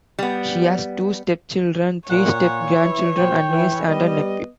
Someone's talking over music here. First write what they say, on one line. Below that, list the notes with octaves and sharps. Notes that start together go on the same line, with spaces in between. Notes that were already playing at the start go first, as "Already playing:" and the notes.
She has two stepchildren, three step grandchildren, a niece and a nephew.
G3 B3
A#2 C#5 F#5
E3 E4
A#2 F#3 C5 G5
E3
G3 B3 D#5